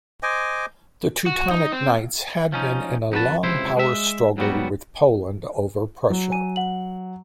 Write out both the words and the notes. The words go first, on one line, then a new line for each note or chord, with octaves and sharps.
The Teutonic Knights had been in a long power struggle with Poland over Prussia.
C5 D#5 G#5 D6
F#4
D#4
C4
F3 C#4 D#4
F2 D#4 F#4 B4 A5
C#2 C3 E4 C5
G#3 E5
G#2 F#3 G3 B3 F#4
F#3
G#5 D#7
F#5 F#7